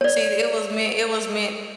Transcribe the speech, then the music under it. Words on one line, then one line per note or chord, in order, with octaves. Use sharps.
See, it was meant it was meant
C#5 D5